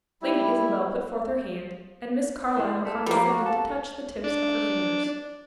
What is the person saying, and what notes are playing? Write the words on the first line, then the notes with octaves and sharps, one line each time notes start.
Lady Isabel put forth her hand, and Miss Carlyle condescended to touch the tips of her fingers.
G3 E4
A2 G#3
A3 A4
F3 G3 A#3
F#4
A4
D4